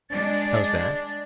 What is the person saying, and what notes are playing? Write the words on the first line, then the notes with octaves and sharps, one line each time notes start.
How's that?
G#3 D4 A6